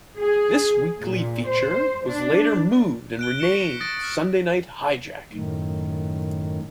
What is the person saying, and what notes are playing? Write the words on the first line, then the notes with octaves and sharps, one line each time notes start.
This weekly feature was later moved and renamed Sunday Night Hijack.
G#4
A#2
C5
D4
F#6 D7 G7
C#6 A#6 C#7 E7 G7
B6
D#6 A6 A#6 D7
F6
F#2 A2 D#3